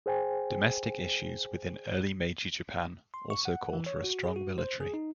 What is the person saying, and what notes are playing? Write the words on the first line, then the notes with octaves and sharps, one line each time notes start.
Domestic issues within early Meiji Japan also called for a strong military.
G#4 C5 G5 G#5
C6
C#6
F#5
E3
C#5
F#4
G#4
F#4
C5
G#4
D#4